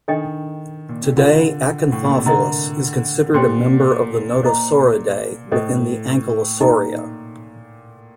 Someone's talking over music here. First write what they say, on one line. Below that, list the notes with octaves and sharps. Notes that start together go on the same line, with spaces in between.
Today "Acanthopholis" is considered a member of the Nodosauridae within the Ankylosauria.
D#3 D4 A4 D#5 G5
A#2
C3
D3 F4 A#4 F5
A2
A#2
C3
D3 A#4 D#5 A#5
A#2 G4 C5 G5 C6
A#2 C5 D#5 A#5
A2 A4 C5 D#5
A#2 D#4 A4 D#5 A#5